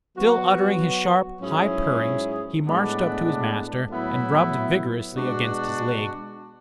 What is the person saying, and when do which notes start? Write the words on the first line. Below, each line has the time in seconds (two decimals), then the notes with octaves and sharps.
Still uttering his sharp high purrings he marched up to his master and rubbed vigorously against his legs.
0.17 F#3 B3 F#4
1.41 G#2 F#3 C#4 E4 G#4
2.65 A2 G#3 B3 D4
3.89 A2 F#3 B3 E4
5.13 B2 G#3 D4 F#4